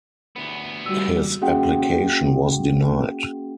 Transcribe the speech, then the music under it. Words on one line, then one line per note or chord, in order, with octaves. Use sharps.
His application was denied.
D2 B3
G3 F#4 E6
A#3 C#4 F#4 G#4 F#5 G5